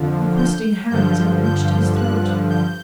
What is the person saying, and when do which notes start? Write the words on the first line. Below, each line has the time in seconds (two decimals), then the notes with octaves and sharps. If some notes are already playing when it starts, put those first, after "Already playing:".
The questing hands had reached his throat!
Already playing: F2 D3 F3
0.37 G6
0.90 G2 D3 F3 G6
1.44 G6
1.96 F#6
2.50 G6